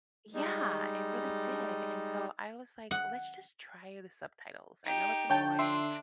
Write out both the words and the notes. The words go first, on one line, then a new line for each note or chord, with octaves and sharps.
Yeah, it really did. And so I was like, "Let's just try the subtitles. I know it's annoying.
G3 G#3 D#4
F#5
D#4 G4
D3 C#5 G5 A5
D4 E5 C6